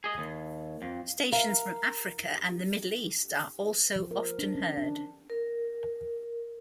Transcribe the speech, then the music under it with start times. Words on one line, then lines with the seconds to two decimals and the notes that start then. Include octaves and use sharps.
Stations from Africa and the Middle East are also often heard.
0.04 G#4 D#5
0.18 D#2
0.82 F2
1.32 A#4 F5
3.96 F3
4.11 A#4
4.39 D4
4.55 C#4
4.77 D4
5.30 A#4